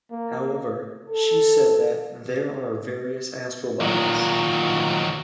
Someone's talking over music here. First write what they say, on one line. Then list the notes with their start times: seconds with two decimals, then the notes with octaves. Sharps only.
However, she said that "there are various astral bodies".
0.11 A#3
1.09 A4
3.81 A#2 D#3 F#3